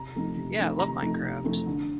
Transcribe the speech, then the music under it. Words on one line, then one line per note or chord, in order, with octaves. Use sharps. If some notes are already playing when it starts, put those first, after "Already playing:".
Yeah, I love Minecraft.
Already playing: C3 A#5
F3 A3 C4 D#4
C3
F3 A3 C4 D#4
C3 A#5
F3 A3 C4 D#4
C3
F3 A3 C4 D#4
D3